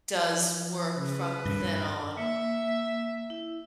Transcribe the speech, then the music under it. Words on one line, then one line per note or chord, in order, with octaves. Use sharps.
does work from then on
F3
C#3 B4
D#1 G2 G3
A#3 E5
E4